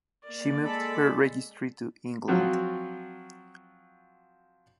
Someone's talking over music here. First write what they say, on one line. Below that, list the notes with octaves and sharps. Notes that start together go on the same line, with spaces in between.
She moved her registry to England.
A#3 D5
G#3 A4 B5
F3 F#3 C4 F4 F#4